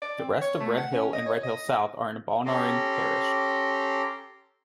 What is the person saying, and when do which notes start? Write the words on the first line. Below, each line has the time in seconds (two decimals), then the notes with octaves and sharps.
The rest of Red Hill and Red hill South are in Balnarring parish.
0.02 D5
0.19 C4
0.42 C#5
0.60 A3
0.77 F#5
0.92 C#4
1.13 D#5
1.26 C#5
1.43 D#5
2.46 C#4 G4 A4 A#5 C6 D6